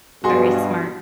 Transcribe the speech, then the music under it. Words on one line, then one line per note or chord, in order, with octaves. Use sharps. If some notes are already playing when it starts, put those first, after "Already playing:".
Very smart.
G2 B2 F#4 G#4 C6